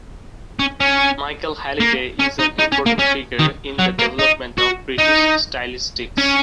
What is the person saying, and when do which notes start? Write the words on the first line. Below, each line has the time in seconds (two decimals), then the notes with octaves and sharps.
Michael Halliday is an important figure in the development of British stylistics.
0.59 C#4
0.80 C#4
1.80 A#3
2.19 C#4
2.39 D#4
2.59 D#4
2.72 C#4
2.86 A#3
2.99 C#4
3.39 D#3
3.79 F#3
3.99 A#3
4.19 D#4
4.58 F#4
4.98 D#4
6.18 C#4